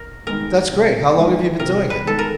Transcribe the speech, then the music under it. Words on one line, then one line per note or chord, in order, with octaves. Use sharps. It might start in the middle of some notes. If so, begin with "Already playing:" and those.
That's great, how long have you been doing it?
Already playing: A#4
D#3 G#3 B3 A#4
C3
D#3 G#3 B3
C3 A#4
B4
D#3 G#3 B3 A4
A#4